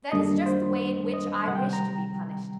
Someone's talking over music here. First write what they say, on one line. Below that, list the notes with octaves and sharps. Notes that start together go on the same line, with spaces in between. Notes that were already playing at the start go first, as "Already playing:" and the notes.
That is just the way in which I wish to be punished.
F#2 D#3 G3 A#3 D4 D#5
C5
D#5
C3 D#3 G3 F#5
G5
A#5